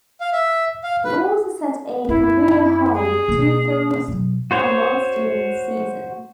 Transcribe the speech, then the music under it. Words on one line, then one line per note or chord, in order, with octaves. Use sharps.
He also set a career-high with two forced fumbles during the season.
F5
E5
F5
B4
F#2 C4 E4
G#4
B2 A#3
B2 F#3
F#4 C5 C#5